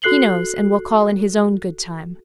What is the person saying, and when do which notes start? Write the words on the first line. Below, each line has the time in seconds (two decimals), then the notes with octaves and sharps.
He knows and will call in His own good time.
0.02 F#4 A4 F#6 C7 F#7 G7